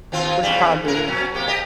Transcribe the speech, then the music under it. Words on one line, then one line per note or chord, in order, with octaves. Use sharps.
was probably
D#2 C4 F4
E2 C#3 G3
A2 A#4
B2 F#3 C#4
C3 A#3 G4
G4 D#5